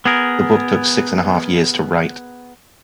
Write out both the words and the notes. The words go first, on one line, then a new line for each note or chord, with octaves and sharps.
The book took six and a half years to write.
B3 G#4 A#4